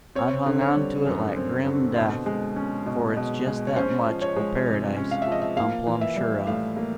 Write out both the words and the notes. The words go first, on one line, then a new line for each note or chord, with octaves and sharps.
I've hung on to it like grim death, for it's jest that much o' Paradise I'm plumb sure of.
C4 C#5
D3
C#5
G3
F#2
C4
D3
B2 C5
G#3
C#4
B2
B2
G#3
C#5
C#4 C5
F3
C#5
G#3
C3
C#4
F5
F3 E5
D#5
E5
A#3 F5
E3
E5
G3
A2 F5
A#3